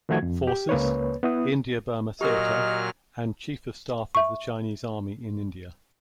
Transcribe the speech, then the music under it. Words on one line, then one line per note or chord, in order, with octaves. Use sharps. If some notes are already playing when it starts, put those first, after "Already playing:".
Forces, India-Burma Theater, and Chief of Staff of the Chinese Army in India.
D#3 F3 A3 F#4 G#6
F2
G4
C#2 A#3 B4 C#5
B3 E4 D#6
A#2 F#3 G4 A#4 D#5 F6
E5 C#6